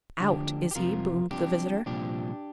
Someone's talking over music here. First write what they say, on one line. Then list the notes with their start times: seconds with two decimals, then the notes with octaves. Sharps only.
"Out, is he?" boomed the visitor.
0.20 D2 D3 F3 D4 G4
0.71 G4
0.76 F2 C3 F3 F4 A#4
1.31 C2 C3 F3 D4 G4
1.86 C2 A#2 F3 D4 G4